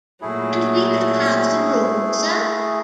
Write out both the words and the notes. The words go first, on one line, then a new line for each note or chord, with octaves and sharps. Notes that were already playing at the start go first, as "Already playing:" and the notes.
And we can have the room, sir?
A#2 F#3 A3 E4 G#4